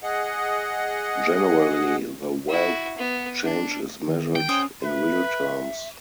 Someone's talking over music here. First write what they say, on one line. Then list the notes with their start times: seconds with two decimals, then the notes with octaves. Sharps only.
Generally, the wealth change is measured in real terms.
0.03 G#4 D#5 F#5
2.49 E4 F#4
2.98 B3
3.43 D4
4.08 D#3
4.36 G5
4.49 C#4 C5 G#5 D#6
4.83 B4 E5